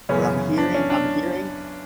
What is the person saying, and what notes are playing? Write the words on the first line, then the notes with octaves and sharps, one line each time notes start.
or I'm hearing I'm hearing
F#2 C#3 E3 B3 C#4
D4
C#4
D4